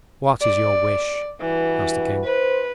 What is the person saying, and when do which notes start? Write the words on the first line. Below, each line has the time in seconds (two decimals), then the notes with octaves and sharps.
'What is your wish?' asked the King.
0.42 D5
1.41 G2 E3 F#4 B4
2.25 B4 C5